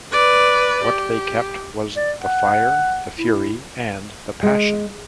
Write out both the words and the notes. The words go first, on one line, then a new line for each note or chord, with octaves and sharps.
What they kept was the fire, the fury, and the passion.
B4 D5
G4
D5
F#5
E4
G#3